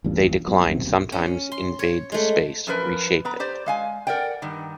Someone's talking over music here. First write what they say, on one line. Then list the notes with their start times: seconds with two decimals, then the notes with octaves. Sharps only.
They decline, sometimes invade the space, reshape it.
0.04 A1 E2 G2 A#2
0.47 F#3 B3
0.67 D#1 B1 F#2 C3
1.12 C#4
1.52 C6
1.79 C#5
2.12 G#3 A3
2.67 F#2 F3 A#4 B4
3.25 B3 B4 A#5
3.40 G4 C5 D5
3.66 G#3 F5 G#5
4.07 A#4 B4 D5 F#5 G5
4.42 G2 D#3